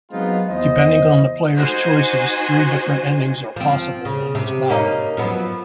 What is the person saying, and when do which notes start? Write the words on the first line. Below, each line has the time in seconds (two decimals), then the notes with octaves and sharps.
Depending on the player's choices, three different endings are possible in this battle.
0.12 F#3 G#3 B3 C4 D#4 F4
0.49 E2 C5 D#5
1.55 D#4 F#4 C5 G#5
3.56 F3 C4
4.05 C#3
4.35 C3
4.70 A#3 C#4 D#4
5.17 F3 F#3 B3